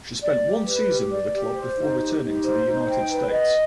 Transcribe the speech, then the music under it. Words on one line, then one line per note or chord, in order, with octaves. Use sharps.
She spent one season with the club before returning to the United States.
D5
G4
B4
G4
D5
G4
C5
D#4
G4
D#4
C5
D#4
G5
B4
D#5